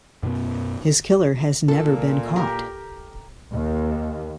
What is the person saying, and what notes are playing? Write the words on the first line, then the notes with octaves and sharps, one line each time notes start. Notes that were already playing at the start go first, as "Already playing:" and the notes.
His killer has never been caught.
F#2 B2 B3
A#2 A4
G4 A#4
D#2